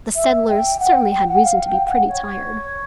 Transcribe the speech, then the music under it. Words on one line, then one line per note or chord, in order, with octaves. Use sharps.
The settlers certainly had reason to be pretty tired.
E5
G5
F#5
G5
G5
F#5
F5
G5
F#5
C#5